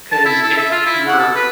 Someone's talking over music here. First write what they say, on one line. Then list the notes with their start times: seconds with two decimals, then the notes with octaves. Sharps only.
'Cause if you were
0.12 A5
0.25 E4
0.42 A4
0.57 E5
0.72 F4
0.86 E4
1.07 F#5
1.19 A4
1.35 B4